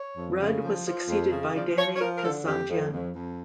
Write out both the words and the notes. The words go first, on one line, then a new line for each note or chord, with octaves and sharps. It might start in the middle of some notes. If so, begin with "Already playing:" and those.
Rudd was succeeded by Danny Kazandjian.
Already playing: C#5
F2
C#3
F3
F3
F2
C#3
F3 D5
F3 C#5
C#5
F3 A#4
A#4
D3 A4
F2 G4
F2
F2
F2